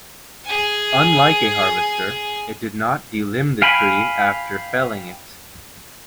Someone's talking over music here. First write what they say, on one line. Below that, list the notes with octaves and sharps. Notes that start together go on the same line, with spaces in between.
Unlike a harvester, it did not delimb the tree after felling it.
G#4 G#5
F5 G5 G#5 B5